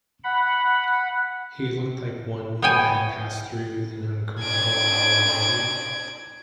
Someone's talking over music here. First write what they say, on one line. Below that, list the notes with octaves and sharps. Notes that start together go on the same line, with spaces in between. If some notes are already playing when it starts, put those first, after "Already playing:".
He looked like one who had passed through an uncomfortable hour or two.
F#5 B5
B3 C#5 G5 G#5
G#6 D7